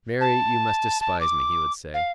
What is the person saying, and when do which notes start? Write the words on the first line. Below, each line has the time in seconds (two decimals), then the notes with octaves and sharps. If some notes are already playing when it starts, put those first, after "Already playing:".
"Mary, you must despise me!" he would say.
0.21 A5
1.01 A5
1.20 D6
1.94 F5